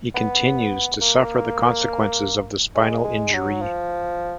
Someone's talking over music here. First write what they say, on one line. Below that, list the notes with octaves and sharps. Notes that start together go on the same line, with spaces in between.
He continues to suffer the consequences of the spinal injury.
B3
A#3
G#3
G#3
F#3
F3